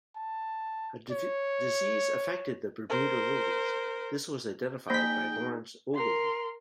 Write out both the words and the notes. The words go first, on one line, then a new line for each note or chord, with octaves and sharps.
A disease affected the Bermuda lilies: this was identified by Lawrence Ogilvie.
A5
C#5
A#4 C5
A#3 D#4 G#4 C5 G5 A#6 B6
A#4 C6